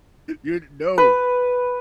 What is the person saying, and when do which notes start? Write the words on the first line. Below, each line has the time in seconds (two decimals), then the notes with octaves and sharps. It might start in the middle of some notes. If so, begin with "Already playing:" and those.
you no,
0.98 B4